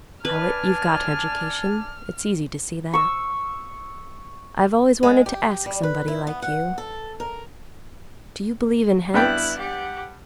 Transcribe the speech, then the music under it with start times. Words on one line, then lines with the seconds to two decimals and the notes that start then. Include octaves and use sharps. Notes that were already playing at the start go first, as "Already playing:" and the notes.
Howitt, you've got education; it's easy to see that; I've always wanted to ask somebody like you, do you believe in hants?
0.25 D4 B4 D5 G#5 A5 F6
2.94 C#6 E6
5.03 G#3
5.26 G4
5.66 G3
5.83 B4
6.08 E4
6.27 B3
6.42 F#5
6.78 A4
7.20 A#4
9.14 G2 B3 E4 G5 F#6
9.58 G4 F#5